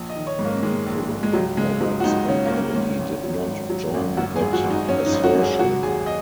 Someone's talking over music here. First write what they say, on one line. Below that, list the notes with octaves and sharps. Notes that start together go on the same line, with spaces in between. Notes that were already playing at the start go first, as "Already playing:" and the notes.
Alito, Roberts, and Kennedy did not join that assertion.
Already playing: A#1
D#5
D#3
C#5
G#2
A#3
D#3 G#3
A#1
G#2
G#3
C#2 F#3
C#3 G#3
F#3 G#3
F#4
C#2 D#4
C#3 C#4
A#3
C#2 C#4
G#1 C#4
G#1
F#3
G#1
F#3
G#1
F#2 F#4
G#4
G#1
F#4
G#1
D#4
G#1 C#4
D#4
G#1
F#4
G#1
G#4
F#3 F#4
D#2 G#4
D#5